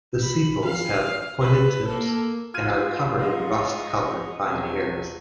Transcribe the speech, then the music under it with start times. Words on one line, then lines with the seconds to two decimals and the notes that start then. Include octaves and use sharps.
The sepals have pointed tips and are covered in rust colored fine hairs.
0.24 B5
0.66 F5
1.41 B4
1.88 A#3 A4
2.54 F4 F#4 B4 F6 G#6 D#7
3.19 G#2 D#5 C#6
4.46 E1 F2 C3 G#5